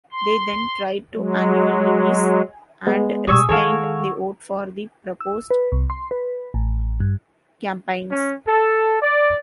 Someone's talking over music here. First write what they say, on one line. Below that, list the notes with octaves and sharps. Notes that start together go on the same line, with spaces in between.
They then tried to annul levies and rescind the vote for the proposed campaigns.
C6
F#3 G#3
G#3 B3
B2 G3 G#3 G#4 C#6 E6
D#3 G#3 E4 F#4 G#4 A4 C#5 F5
E6
B4
C2
C6
B4
A1
G2
C#4
A4
D5